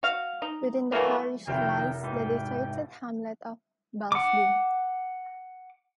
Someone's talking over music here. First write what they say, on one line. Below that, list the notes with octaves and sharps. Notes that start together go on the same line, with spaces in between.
Within the parish lies the deserted hamlet of Balsdean.
F#4 F5
D#4
E3 F#3 A3 A#3
F1 D#3 F3 D#4 E4 F#4 A#4 G5
G#2 B2 E3 D#4 G5
F#5 D6